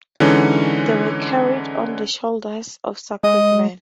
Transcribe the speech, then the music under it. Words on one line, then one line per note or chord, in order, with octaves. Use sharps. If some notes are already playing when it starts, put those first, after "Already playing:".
They were carried on the shoulders of sacred men.
D3 E3 G#3 C#4 D#4
G#3 D#5